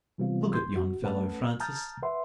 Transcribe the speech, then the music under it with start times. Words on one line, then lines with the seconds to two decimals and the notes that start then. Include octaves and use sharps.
Look at yon fellow, Francis!
0.18 C3 E3 G3 B3 C4 F4
0.54 C6 G6 G#6
0.76 F#4
1.02 A3 C#4 B4 F#5 A5
1.60 A5 A#5 D#6 F6 G6 A6
2.03 B4 E5 F#5 C6